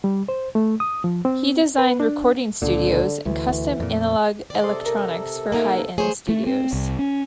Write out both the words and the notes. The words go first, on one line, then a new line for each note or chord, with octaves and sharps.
He designed recording studios and custom analog electronics for high end studios.
G3
C5
A3
D#6
F3
C4
B4
D4
C#2 A#2 D3
D2 E3
F2 A#2
D#3 D5 D#5
C3 A4 C5
A#4
A#3 C#4 D#4 A#4 E5 F#5
F2 E3 A3 G#4 C5 C#5
A3
C4
C2
C#4